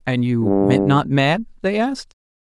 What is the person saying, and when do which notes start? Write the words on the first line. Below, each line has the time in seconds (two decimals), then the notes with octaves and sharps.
"And you went not mad?" they asked.
0.43 G2